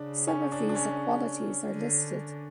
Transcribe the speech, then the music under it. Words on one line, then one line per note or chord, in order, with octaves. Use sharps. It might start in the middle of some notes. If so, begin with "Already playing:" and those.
Some of these equalities are listed.
Already playing: C#3 D4
C#4
D4
D4
C#4
D3